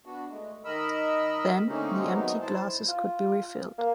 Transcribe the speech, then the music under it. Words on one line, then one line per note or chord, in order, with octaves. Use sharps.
Then, the emptied glasses could be refilled.
B3 D4 F#4
G#3 A3
D#3 A#4 D#5 B5 E6
D3 A3 A#3 C4 C#4 D#4
C3 D#3 F#3 G#3 B3 D#4
E4 C5 A5
F4
A#3